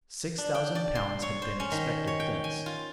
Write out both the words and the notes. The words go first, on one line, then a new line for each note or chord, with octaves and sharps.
Six thousand pounds had been expected thence.
D4
G5
D5
C6
C#5
C5
C#4
D#3
C#5
G5
G#5
F4